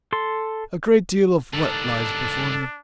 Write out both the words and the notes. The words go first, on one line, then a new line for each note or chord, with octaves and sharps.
"A great deal of what lies before me?"
A4 C6
G2 D#3 D4 A4